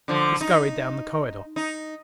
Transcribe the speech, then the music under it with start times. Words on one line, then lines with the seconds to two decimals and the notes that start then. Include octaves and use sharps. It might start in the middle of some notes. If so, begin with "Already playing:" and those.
She scurried down the corridor.
0.08 D3 F3
0.41 D#4
1.56 D#4